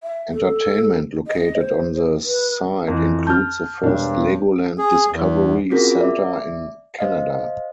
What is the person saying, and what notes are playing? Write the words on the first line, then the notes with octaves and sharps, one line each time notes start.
Entertainment located on the site includes the first Legoland Discovery Centre in Canada.
E5
A4
D#5
C5
B4
F2 E3
A5 F6 G6
E1 G2 D4
G#4
E2
C4 C#4 F4 F#4 G#4 A#4
D5 E5
C5 D#5 F5